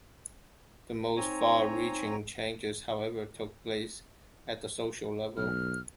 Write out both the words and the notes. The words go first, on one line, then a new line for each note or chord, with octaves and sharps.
The most far-reaching changes, however, took place at the social level.
C4 D#4 C#5 G#5 A#5
B1 F6